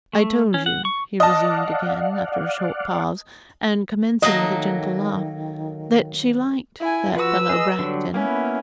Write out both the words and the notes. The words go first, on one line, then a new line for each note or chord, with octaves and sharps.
'I told you,' he resumed again, after a short pause, and commencing with a gentle laugh, 'that she liked that fellow, Bracton.'
A3
C#4
F#5
C#6
D5 D#5 F5 F#5 A5
D#3 F#3 A3 A#3 D#5
E4 G#5
F3 F#4 B4 E6
G#4 D#5
D3 F#3 G3
A#3 B3 C#4 E4